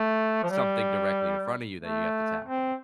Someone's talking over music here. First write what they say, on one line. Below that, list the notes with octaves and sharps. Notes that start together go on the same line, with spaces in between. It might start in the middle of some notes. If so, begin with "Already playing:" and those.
something directly in front of you that you have to tackle.
Already playing: A3
F3
G3
A3
C4